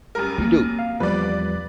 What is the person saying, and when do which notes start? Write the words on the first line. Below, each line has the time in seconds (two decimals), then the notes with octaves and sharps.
You do.
0.15 F#2 G3 A#4
0.38 A#3 C4
0.79 F5
1.00 E2 F3 G3 B4 D5